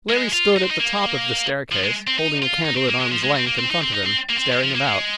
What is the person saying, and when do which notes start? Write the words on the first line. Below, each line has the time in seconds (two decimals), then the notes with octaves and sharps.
Larry stood at the top of the staircase, holding a candle at arm’s length in front of him, staring about.
0.09 G#3
0.33 F4
0.56 D#4
0.63 C4
0.71 D#4
0.80 A#3
1.72 F3
1.84 G#3
2.07 C4
2.19 D#4
2.42 F4
2.65 D#4
2.77 C4
2.89 A#3
3.00 G#3
3.12 F3
3.23 G#3
3.36 C4
3.46 A#3
3.59 C4
3.70 D#4
3.82 C4
3.93 D#4
4.05 C4
4.29 A#3
4.36 C4
4.52 G#3
4.63 F3
4.75 A#3
4.86 G#3